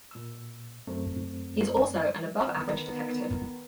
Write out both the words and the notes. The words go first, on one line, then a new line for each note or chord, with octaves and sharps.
He is also an above average detective.
A#2 E6
F#2 A3 C4
D#3 B3